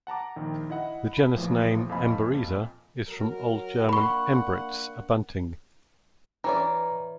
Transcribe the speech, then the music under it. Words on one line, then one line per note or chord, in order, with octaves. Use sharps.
The genus name "Emberiza" is from Old German "Embritz", a bunting.
F#5 A5 A#5 D6
A#1 D#3 G5
E4 D#5 F#5
B5
A#1 A2 E3 F3
F2 A#2 D#5 F5 G#5 B5
F#3 A#4
A#3 D4 F#5 B5 C#6
E3 C#4 D5 A#5